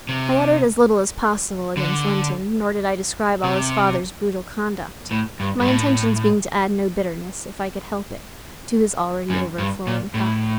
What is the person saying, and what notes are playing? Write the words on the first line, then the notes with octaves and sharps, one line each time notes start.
I uttered as little as possible against Linton; nor did I describe all his father's brutal conduct--my intentions being to add no bitterness, if I could help it, to his already over-flowing cup.
C3
D3
C3
A2
G2
G2
A2
F#2
G2
A#2
A2